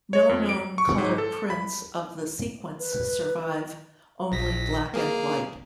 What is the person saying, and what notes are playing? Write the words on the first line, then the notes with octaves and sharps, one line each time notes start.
No known color prints of the sequence survive, only black-and-white.
C#5
F2
D7
C#6
G#2
A4
B5
B4
A#1 A#6 B6
A#3 G#4 A#4